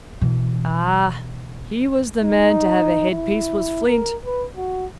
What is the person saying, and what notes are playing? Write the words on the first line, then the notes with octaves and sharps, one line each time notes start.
Ah, he was the man to have a headpiece, was Flint!
B2 E3
D#4
E4
A#4
B4
F#4